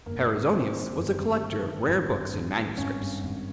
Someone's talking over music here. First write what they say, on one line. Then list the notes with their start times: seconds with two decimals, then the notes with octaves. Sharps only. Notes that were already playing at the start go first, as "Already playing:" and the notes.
Perizonius was a collector of rare books and manuscripts.
0.06 G1 A#3
0.29 G2
0.52 G#3 C4
0.74 D#3
0.97 G1
1.19 G2
1.42 G#3
1.65 D#3
1.88 G#1
2.10 G2
2.33 G#1
2.55 G3
2.78 G#1 C#4
3.01 G2
3.23 G#1